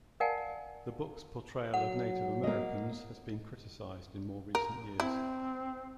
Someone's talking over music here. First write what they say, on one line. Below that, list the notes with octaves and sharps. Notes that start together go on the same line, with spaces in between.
The book's portrayal of Native Americans has been criticized in more recent years.
A#4 D5 F5 F#5 G#5 A5
F#3 F#5
A#3 D#5
A#4
C4 E4